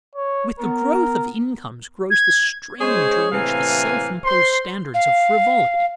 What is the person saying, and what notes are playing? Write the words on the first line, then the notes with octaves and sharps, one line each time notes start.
With the growth of incomes grows the strain to reach the self-imposed standards of frivolity.
C#5
B3 A#4
G#6
G#3 C#4 G#4 C5 C#5
A2 C3 E3 A#3 F5 G#5
C5 C6
F5